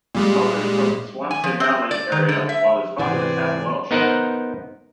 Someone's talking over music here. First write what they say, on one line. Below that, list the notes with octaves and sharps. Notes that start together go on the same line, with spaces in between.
His mother is from the Swansea Valley area while his father is half Welsh.
A#2 G3 G#3
G#5
F3
C4
D5
D#3
D3
E5
D2 G#2 C3 E3 B4 C5 D5 G#5
B3 D#4 A#4 C5 F#5